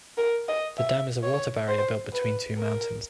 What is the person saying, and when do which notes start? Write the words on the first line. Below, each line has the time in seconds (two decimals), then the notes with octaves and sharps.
The Dam is a water barrier built between two mountains.
0.18 A#4
0.48 D#5
0.79 E5
1.23 C#5
1.68 C5
2.13 B4
2.57 A#4